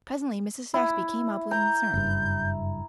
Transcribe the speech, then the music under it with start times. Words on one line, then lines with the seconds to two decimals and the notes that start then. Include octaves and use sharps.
Presently Mrs. Saxby came up, looking concerned.
0.74 E4
1.51 A#5 G6
1.94 F#1 G2